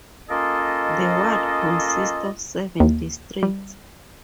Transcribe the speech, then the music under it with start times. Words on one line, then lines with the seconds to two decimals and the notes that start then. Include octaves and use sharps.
The ward consists of seven districts.
0.29 A#3 C#4 F4 A4 D#5
2.80 D#2
3.43 G3